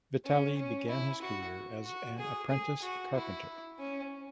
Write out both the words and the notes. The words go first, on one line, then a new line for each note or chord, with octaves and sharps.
Vitali began his career as an apprentice carpenter.
C#4
C#4
E4
F#4
F#4
G#4
G#4
F#4
E4
C#4